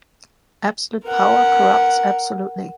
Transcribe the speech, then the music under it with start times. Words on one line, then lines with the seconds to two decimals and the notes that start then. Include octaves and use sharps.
Absolute power corrupts absolutely.
1.06 A#4 F#5